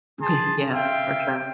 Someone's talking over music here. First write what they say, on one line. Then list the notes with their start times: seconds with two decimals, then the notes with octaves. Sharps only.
Okay, yeah, for sure.
0.19 G#4 A5 C6
0.72 E5 F5 G5